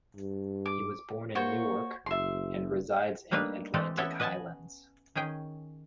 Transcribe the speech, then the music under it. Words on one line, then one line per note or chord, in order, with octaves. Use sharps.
He was born in Newark and resides in Atlantic Highlands.
G2
D6
A#3 F#4 C5 C#5
F#1 E5 C6
G3 A3 A#3 D4 D#4 B4
E3 G#3 A3 C4 G4 A4
B3 C#4 E4 A4 C#5 E5
B4 D#5 F#5 G#5 A5
D#3 C#4 G#4 G5